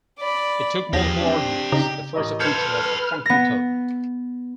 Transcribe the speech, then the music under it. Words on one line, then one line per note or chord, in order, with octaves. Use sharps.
It took multiple arguments, the first of which was a function code.
D5 B5
E2 F3 G4 G#4 F5 A#6
C4 D4
C#3 D#4 A#5
A1 A#4 D#5
A4 B4 C5 F6 G6 G#6 C#7
B3 A#6